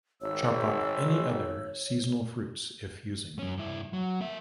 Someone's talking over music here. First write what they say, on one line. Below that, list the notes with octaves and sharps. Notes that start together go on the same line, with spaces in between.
Chop up any other seasonal fruits if using.
G#1 C#5 E6
F#2 C#4
G2 E4
F#3
A#3 E5